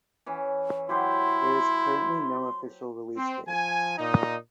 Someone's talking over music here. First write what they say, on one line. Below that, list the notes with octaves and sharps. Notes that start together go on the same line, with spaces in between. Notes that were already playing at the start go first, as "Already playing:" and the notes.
There is currently no official release date.
E3 C#4
F#3 E4 G4 C5 C6
C4
F3 G#5
A#2 D#4